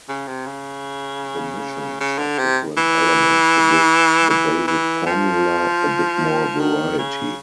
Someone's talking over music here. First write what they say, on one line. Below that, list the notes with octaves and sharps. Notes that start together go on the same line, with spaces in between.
The missions have different elements to give the basic formula a bit more variety.
C#3
C3
C#3
C#3
D3
C3
E3
E3
E3
F3
D#3
C#3